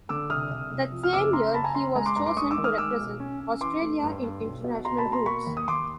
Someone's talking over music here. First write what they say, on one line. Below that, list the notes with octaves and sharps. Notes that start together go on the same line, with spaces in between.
That same year he was chosen to represent Australia in International Rules.
D3 D6 E6
C2 D#6 F6
C2
C2
F3
F6
F#1 D6 E6
C#3 A#5 C6
F#1 A5 B5
G#5 A#5
F#1 A#5 C6
G#3 G#5 A#5
C6 D6
G2 A#5 C6
C6 D6
G#3 C#6 D#6
D6 E6
D#3
D#6 F6
G#3 D6 E6
B1
C#4
C#4
E3 C6 D6
A3
G2
G2
B1
B2
B2 A#5 C6
A5 B5
B2
A#5 C6
A#3 B5 C#6
D#2
D#6
D#2 C6 D6